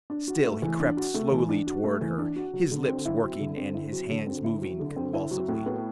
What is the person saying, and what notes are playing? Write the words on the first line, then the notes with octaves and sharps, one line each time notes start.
Still he crept slowly towards her, his lips working and his hands moving convulsively.
D4
F#4
A3
E3
D4
F#4
A3
E3
D4
F#4
A3
E3
D4
F#4
F#3
D3
C4
E4
F#3
D3
C4
E4
F#3
D3
C4
E4
F#3
D3
C4
E4
F#3
A2
B3